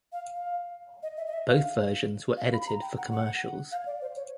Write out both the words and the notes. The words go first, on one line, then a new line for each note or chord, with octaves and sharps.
Both versions were edited for commercials.
F5
F5
D#5
E5
D#5
E5
F5
F5
B5
A#5
G5
F#5
F#5
F5
D5
C5
C#5